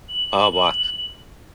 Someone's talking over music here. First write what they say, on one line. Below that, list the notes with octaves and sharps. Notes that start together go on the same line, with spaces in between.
Oh, what
F#7